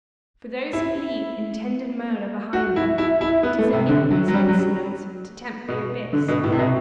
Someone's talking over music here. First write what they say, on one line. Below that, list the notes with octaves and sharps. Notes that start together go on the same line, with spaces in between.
For those who leave intended murder behind them, it is an impious insolence to tempt the abyss.
E4
F#4
E4
E4
E4
B3
A3
C3
D3
F#3
F#3
G3
F#3
B2
D3
B2
A2
C3
B2